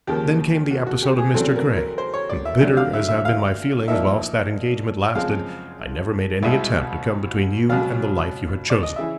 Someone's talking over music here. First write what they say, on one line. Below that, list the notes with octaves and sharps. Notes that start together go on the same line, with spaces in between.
Then came the episode of Mr. Grey; and bitter as have been my feelings whilst that engagement lasted, I never made any attempt to come between you and the life you had chosen.
D#2 C#3 F3 A#3 G4
F#4
F#4
G4
G#4
E2 C#3 F#3 A3 C4 A4
A#4
A#4
C5
C#5
D5
E5
D2 D3 F#3
F5
E5
E5
F5
A#2 F3 A#3 D#4 E5
F#2 C#3 F3 G#3 C4 F5
C2 B2 G#3 E5
C#2 B2 F#3 F5
D5
D#5
C#3 E3 E5